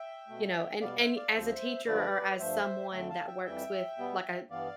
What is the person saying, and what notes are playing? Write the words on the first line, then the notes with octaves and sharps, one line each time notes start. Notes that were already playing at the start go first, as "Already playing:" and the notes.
you know? And and as a teacher or as someone that works with like I
Already playing: E5 G5
B2 A3
B2 G3 B3 D5 F5
C5 E5
D5 F5
D2 C3 F3 C5 E5
G2 D3 F3 A3 B4 D5
G2 F3 A3 C5 E5
F2 D3 A3 E5 G5
F5 A5
E5 G5
F2 E3 G3 E5 G5
B2 G3 B3
G2 E3 B3 D5 F5